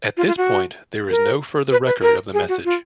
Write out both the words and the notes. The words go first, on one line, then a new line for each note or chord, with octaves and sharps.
At this point there is no further record of the message.
F4
F4
F#4
A#4
B4
B4
A#4
G#4
F#4
F4